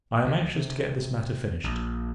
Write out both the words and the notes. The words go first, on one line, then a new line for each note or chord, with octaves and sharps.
I am anxious to get this matter finished.
D2
C3
A#1